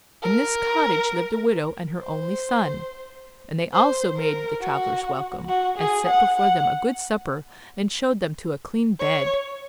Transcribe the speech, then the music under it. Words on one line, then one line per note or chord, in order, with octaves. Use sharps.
In this cottage lived a widow and her only son, and they also made the travellers welcome, and set before them a good supper and showed them to a clean bed.
A#4
C5
C5
A#4
F#4
F#4
G#4
F#5
F#5
C#5